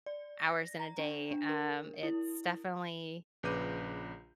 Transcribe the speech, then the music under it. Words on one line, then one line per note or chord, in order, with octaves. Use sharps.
hours in a day. Um, it's definitely
D5
A#6
A#5
D4
D4
A#4
E4
A#1 C#3 B4 D6 G6 D#7